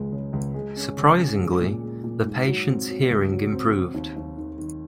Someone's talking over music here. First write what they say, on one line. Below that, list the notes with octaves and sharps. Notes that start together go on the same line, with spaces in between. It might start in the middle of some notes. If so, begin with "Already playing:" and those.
Surprisingly, the patient's hearing improved.
Already playing: C#2 G#3
C#3
C#2
G#3
C#4
C#3
C#4
G#3
A#2
G#3
A#2
G#2
F#3
C4
F#3
C#2
F#3
C4
C4
D#2
D#2
D#3
D#3